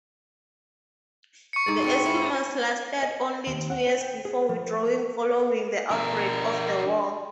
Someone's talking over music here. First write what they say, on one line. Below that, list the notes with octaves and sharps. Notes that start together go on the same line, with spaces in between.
The Eskimos lasted only two years before withdrawing following the outbreak of the war.
C#6 C#7
G#2 A4 D5
C4 C#4 F#4
E4 F5
D#5
D#2
F#5
C5
G5
G#4
F3
D4 A#4